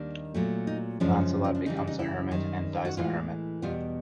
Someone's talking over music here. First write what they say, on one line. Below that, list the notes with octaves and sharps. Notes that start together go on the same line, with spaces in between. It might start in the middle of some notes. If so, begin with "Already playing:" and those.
Lancelot becomes a hermit and dies a hermit.
Already playing: D#2 D#3 G3 A#3 D4
A#2 F#3 A3
D#4
F#2 C#3 F3 G#3 C#4 D4
D#4
D4
C#3 E3 G3 D#4
D#4
D#4
E4
F#2 D#3 G3
F#4
A2 E3 G#3 F4
E2 B2 G3 B3 F4